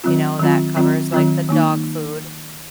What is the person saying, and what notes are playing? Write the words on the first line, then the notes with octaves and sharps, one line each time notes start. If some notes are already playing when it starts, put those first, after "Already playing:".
You know, that covers, like, the dog food.
D#3 F#3 C4 F4
D#3 F#3 C4 F4
D#3 F#3 C4 F4
D#3 F#3 C4 F4
D#3 A#3 D#4